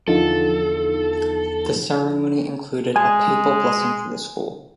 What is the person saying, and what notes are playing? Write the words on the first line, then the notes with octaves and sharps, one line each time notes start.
The ceremony included a papal blessing for the school.
E2 D3 F3 D#4 F4 A4
G#3 G#5